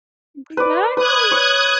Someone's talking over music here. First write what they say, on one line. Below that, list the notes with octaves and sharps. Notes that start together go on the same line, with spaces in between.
M exactly.
B4 D5
B4 D#6 F#6 G#6
C#5